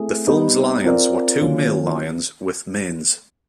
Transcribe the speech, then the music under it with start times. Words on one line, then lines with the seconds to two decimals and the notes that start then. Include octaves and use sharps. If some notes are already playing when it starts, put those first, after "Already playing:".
The film's lions were two male lions with manes.
Already playing: A3 C4 E4 G#4
0.27 G3 B3 D#4
0.84 C4 F4 A#4 D5
1.41 D#3 F#3 A#3 C#4 F4